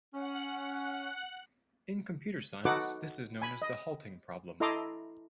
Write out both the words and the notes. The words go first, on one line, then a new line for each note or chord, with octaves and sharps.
In computer science this is known as the halting problem.
C#4 F#5 F#6
D#4 F#4 A4 B4 F#5 D6
G#5 B5
D#5
E4 A4 D#5 A#5 C6 D6